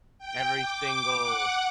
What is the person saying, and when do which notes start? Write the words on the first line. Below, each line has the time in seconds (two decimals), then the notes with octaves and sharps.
every single
0.19 G5
0.61 D6
1.22 F#5